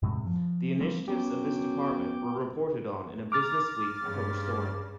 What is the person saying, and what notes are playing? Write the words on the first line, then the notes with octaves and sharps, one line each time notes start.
The initiatives of this department were reported on in a "BusinessWeek" cover story.
F#2 A2 C3 G#3
F3
F3 G3 A#3 C4
F#2 B3 G5 D6
A#5 D6 F6 A6
G2 C#3